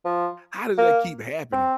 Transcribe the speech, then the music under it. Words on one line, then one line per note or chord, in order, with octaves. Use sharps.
how does that keep happening?
F3
A#3
C4